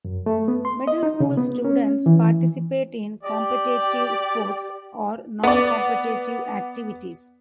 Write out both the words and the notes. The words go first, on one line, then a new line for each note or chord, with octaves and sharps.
Middle School students participate in competitive sports or non-competitive activities.
F#2
A3
B3
C6
D#5
D#4
C#3
B3
C#4
E3
G4 D5
B3 D5